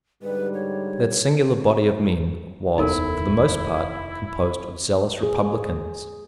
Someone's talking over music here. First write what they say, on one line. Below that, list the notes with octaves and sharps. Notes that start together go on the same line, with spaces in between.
That singular body of men was, for the most part, composed of zealous republicans.
G#2 D3 G3 B4
C#5
F1 D#2 B3 D#4 E4 A4 A#4
G#4